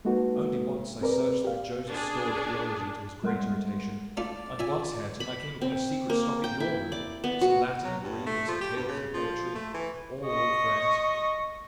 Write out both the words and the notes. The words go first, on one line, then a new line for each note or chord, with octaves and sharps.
Only once, I searched through Joseph's store of theology, to his great irritation; and once, Hareton, I came upon a secret stock in your room--some Latin and Greek, and some tales and poetry: all old friends.
G#3 A#3 D#4 F#4 A4 B4
C4 G#4 A#4 B4 D5
G4 F5
D4 G#4
G3 G#3 A4 A#4 F#5 C6
A3 D4 F4 D5
D4 F4 E5 G#5
B5
C4
A#3
G5
E4
D5
B3
F#4
F#3
G2
A3
F3
G4
G2
C#3
F3
A3
E3
D#5 C#6